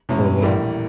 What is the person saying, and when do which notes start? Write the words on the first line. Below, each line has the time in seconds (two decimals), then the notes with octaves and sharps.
Oh, wow.
0.09 E2 B2 G#3 C#4 E4
0.42 A#1 A2 E3 G3 A#3